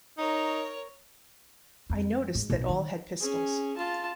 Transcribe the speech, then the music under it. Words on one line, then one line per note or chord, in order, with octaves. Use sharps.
I noticed that all had pistols.
D#4 A#4 C#5
F2
G#2
B1
D#3
C#4 G#4
F4 A5